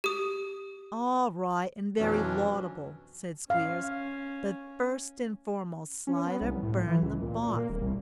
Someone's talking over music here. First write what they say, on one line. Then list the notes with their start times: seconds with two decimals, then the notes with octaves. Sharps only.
'All right, and very laudable,' said Squeers. 'But, first and foremost, Slider, burn the box.
0.04 G4 D#6
1.99 F2 B2 E3 F#3 C#4 D4
3.50 C#4 F5
6.07 C#4
6.27 B3
6.41 C2
6.63 A2
6.87 E3
7.03 C#2
7.22 A#2
7.43 A#2
7.57 A#3
7.70 D#1
7.81 C2